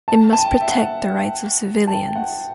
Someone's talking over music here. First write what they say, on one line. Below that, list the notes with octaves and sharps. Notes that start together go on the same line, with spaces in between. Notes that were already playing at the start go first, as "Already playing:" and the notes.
It must protect the rights of civilians.
A5
A5
G5
E5
F#5
A5
G5
F#5
G5